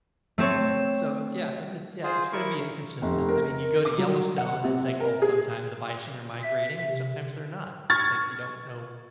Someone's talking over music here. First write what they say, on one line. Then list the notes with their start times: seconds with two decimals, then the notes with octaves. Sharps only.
Yeah, so yeah, and it yeah, it's gonna be inconsistent, I mean, you go to Yellowstone, and it's like, well, sometimes the bison are migrating, and sometimes they're not, it's like, you don't know,
0.38 A3 C4 A4 C#5
2.04 F4 G#4 C5
2.32 E4 A#4 C#6
3.02 F1
3.29 A#4
3.85 D6
3.98 F#3
4.38 F#5
4.64 C3
5.00 A#4
5.22 G#4
6.43 E5
6.90 C3
7.90 C#6 F6 G#6 A6